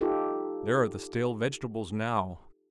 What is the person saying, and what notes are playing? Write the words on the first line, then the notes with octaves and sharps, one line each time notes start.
There are the stale vegetables now.
D#4 F4 G4 A4